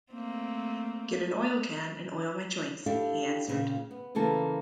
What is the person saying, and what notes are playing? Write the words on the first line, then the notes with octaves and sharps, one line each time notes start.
"Get an oil-can and oil my joints," he answered.
A3 A#3 C4
D4 E4 G4 A4 F5
A#2 C#3 C4
B3
C#3 E3 A#3 A4 A5